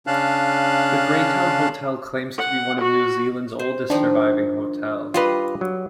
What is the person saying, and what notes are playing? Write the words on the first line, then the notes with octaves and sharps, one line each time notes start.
The Greytown Hotel claims to be one of New Zealand's oldest surviving hotels.
C#3 C#4 D4 F5 A5 F#6
F#5
F#4
C5
D#3 F3 D4
G3 F4 B4 D#5 F5
F#3